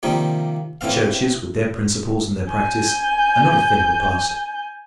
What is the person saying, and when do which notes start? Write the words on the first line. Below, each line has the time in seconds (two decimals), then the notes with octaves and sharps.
The churches, with their principles and their practice, are not a thing of the past.
0.03 C3 D#3 F3 G3 A#3
0.81 A2 E3 C4 F5
2.49 G#5 G6